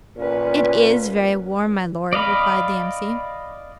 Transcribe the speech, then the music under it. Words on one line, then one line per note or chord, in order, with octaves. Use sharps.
'It IS very warm, my Lord,' replied the M.C.
A#2 C#4 B4
D5 D#5 F5 B5